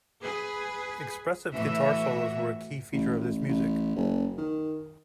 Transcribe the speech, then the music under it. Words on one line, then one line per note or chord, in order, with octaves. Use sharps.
Expressive guitar solos were a key feature of this music.
G#4 B4
A2 E3 F#4 E5
A1
A1
A1
F#1
D#3